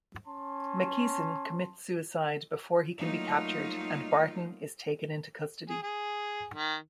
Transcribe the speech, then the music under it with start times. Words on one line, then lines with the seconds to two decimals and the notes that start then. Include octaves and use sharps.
McKeeson commits suicide before he can be captured and Barton is taken into custody.
0.27 C#4 A5 C6
2.99 F#3 G3 A3 A#3 D#4 F4
5.69 G#4
5.83 G#4
6.54 D#3